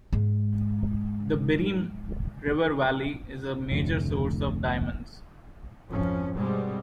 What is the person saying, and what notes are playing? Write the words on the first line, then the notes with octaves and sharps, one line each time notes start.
The Birim river valley is a major source of diamonds.
G#2 G#3
F1 D2 A2
G#1 F2 F3 C#4
G2 B2 G3 G#3 C4